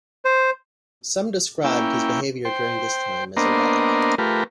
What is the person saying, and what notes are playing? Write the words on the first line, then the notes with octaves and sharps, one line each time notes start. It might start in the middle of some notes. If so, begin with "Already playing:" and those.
Some described his behaviour during this time as erratic.
C5
A#3 C#4 E4 G5
C5 G5
A#3 B3 D4 A#4 C5 D#5
A3 F4 G4 A#4 B4